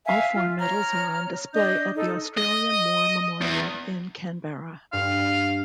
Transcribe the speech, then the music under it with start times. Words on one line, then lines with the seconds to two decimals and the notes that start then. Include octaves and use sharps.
All four medals are on display at the Australian War Memorial in Canberra.
0.06 E5 F5 G#5
0.35 F4
0.59 C#5 A#5 F6
1.53 D4 D#5 D#6 G6
1.95 D#4 A4
2.37 D#5
3.42 E2
4.93 G2 F5